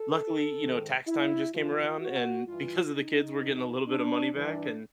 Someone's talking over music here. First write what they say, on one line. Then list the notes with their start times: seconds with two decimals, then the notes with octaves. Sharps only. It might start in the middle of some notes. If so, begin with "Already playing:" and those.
luckily, you know, tax time just came around, and because of the kids, we're getting a little bit of money back and
Already playing: A4
0.60 G#2 D#3
1.07 E4
1.54 F2 C#3 E3 F4
2.00 F#4
2.48 G2 E3 F4
2.94 D#4
3.41 E2 B2
3.88 D4
4.35 G2 E3 D4